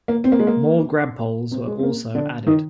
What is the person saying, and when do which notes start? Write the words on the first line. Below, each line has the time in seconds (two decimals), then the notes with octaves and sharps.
More grabpoles were also added.
0.08 A#3
0.24 C4
0.32 A#3
0.39 G#3
0.47 A#3
1.51 C3 C4
1.67 G#3
1.79 C4
1.83 A#3
2.15 D3 D4
2.47 D#3 D#4